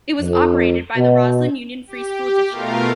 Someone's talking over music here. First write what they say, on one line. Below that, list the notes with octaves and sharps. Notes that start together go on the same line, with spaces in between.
It was operated by the Roslyn Union Free School District.
F2
B2
G4
B2 A3 F4 A#4 F5